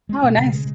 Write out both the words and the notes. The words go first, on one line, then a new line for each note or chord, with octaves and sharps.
Oh, nice.
G#3
B2
C#3
G#3